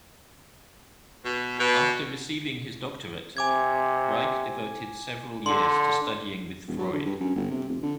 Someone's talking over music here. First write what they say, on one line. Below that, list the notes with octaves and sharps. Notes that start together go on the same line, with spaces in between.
After receiving his doctorate, Reik devoted several years to studying with Freud.
B2
B2
C3 G#5 D6 G#6
D3 C6
E1
F#3
D3
G2
F#2
G1
C3
F1
D3